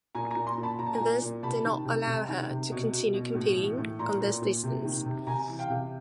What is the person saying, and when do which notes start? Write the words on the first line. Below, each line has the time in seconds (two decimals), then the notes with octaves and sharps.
This did not allow her to continue competing on this distance.
0.15 A#2 G#5 A#5
0.31 G#5 A#5
0.36 A#2
0.47 A#5 C6
0.58 A#2
0.63 A5 B5
0.79 A#2 A#5
0.86 A5
0.93 G#5 A#5
1.00 A#2
1.22 A#2
1.43 C3 A5 B5
1.65 D#3
1.85 C3
2.07 C3
2.28 D#3
2.50 C3
2.71 B2
2.93 B2
3.14 B2
3.35 A2
3.57 E3
3.78 A2
3.99 A#2 A#5 C6
4.20 A#2
4.42 A#2
4.63 C3
4.85 D#3
5.06 C3
5.27 C3 G#5 A#5
5.49 E3
5.59 F5 G5
5.70 C3